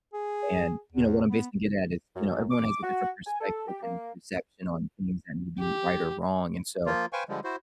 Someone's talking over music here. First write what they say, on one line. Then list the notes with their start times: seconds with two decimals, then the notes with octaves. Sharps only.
and, you know, what I'm basically getting at is, you know, everyone has a different perspective and perception on things that may be right or wrong, and so,
0.14 G#4
0.93 E2
1.30 B3
2.16 F#2
2.51 D6
2.83 F#4
3.26 G#5
3.40 A4
3.68 G4
3.82 A#3
5.59 G4
6.86 F3 A#3 F4
7.13 B4 C5 F5 G5 G#5 C#6
7.29 D3 F3 G3 G#3
7.44 E4 F#4 C5